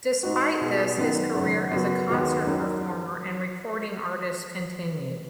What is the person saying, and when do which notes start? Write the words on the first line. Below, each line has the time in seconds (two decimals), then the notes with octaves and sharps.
Despite this, his career as a concert performer and recording artist continued.
0.23 G#2 G#3 D#4 F#4
0.61 B2 B3 G#4
0.97 F#1 F#2 D#3 B3
1.35 G#1 F#2 C#3
1.72 F#2 C#3 B3 F#4 B4
2.10 D#2 D#3 G#3 B3 F#4
2.47 F#1 F#2 D#3 F#3